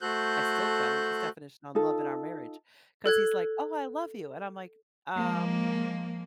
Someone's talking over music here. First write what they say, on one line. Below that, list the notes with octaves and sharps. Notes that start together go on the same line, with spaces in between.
I still challenge his definition on love in our marriage, 'cause he's, like, "Oh, I love you." And I'm, like, "Um,
A3 F#4 A4 C5 F#6 G6
D#4 F4 A4
A4 F#6 G#6
F3 G#3 A#3